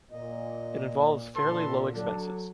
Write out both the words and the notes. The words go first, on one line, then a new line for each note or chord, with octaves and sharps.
It involves fairly low expenses.
A#2 D#5
A#2 D3 A4 B4 C6
F#3 D4 A4